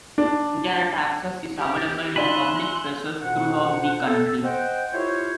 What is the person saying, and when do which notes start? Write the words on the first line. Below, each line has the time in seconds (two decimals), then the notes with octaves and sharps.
Internet access is available in public places throughout the country.
0.18 D4
1.57 G4
2.16 D#4 D5 E5 F#5 G#5 B5 C6 F#6
3.22 F2 B2 D4 C5 F#5
4.05 A4
4.43 C5 D#5 F#5 G5
4.93 E4 F4 G4 A#4 C5 C#5